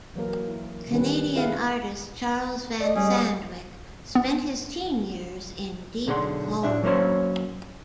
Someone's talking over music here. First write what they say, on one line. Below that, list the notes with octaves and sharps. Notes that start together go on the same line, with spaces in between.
Canadian artist Charles van Sandwyk spent his teen years in Deep Cove.
E3 F#3 A#3 A#4
E4
D#3 G3 C4 C#4 E4 B4
E4 G#4 B4 F5
D5 D#5
G3 C#4 G#4
B3
B1 D3 G#4 F#5 C6
A2 D4 E5
F#3 A#3 C#4 C5 C#5